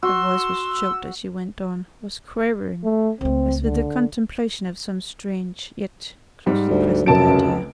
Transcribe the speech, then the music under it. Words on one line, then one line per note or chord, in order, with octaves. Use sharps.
Her voice was choked as she went on--was quavering as with the contemplation of some strange, yet closely-present idea.
F#4 C6 E6
A3
C#2 A3 C4
D3
G#2 G3
D2
F1 F#2 A5 D7
C#2